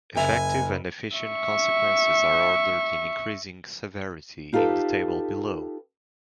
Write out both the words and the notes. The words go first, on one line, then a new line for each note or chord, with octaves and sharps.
Effective and Efficient consequences are ordered in increasing severity in the table below.
F#1 E5 G#5 F7
E5 C#6
D#4 F4 G4 A4 B4